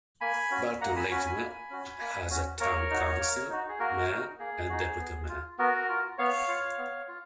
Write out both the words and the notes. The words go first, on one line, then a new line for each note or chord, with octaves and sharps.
Burton Latimer has a town council, mayor, and deputy-mayor.
A#3 G#5 B5
C#4 F#4
A#3 F#5 A#5
G#5 B5
C#4 F#4 G#5 B5
G#5 B5
A#3
C#4 F#4
A#3
C#4 F#4
A#3 A#4 C#5
D#4 F#4
A#3
D#4 F#4
G#4
A#3 F#4 A#4
D#4 F#4
A#3 G#4
D#4 F#4
B3
F4
B3 F#4 A#4
F4
B3 C#5 F5
F4
B3
F4